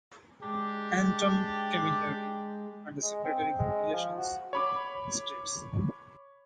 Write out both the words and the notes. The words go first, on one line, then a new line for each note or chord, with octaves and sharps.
Antoine Camilleri, under-secretary for Relations with States.
G#3 D4 G4
G#3
C4
G#3
F3
F#4
C#5 B5 D6